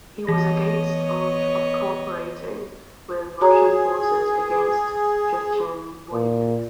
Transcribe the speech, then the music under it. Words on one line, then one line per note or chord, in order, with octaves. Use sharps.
He was against of cooperating with Russian forces against Chechen Boeviks.
E3 B3 C#5 D#5 A#6
F#4 G#4 C#5 A#5
A#2